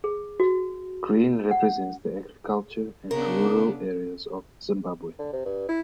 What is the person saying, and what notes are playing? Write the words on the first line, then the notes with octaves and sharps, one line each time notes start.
Green represents the agriculture and rural areas of Zimbabwe.
G#4
F#4
F#5
C#3 B3 D4 A#4
D3
C3
G2
E4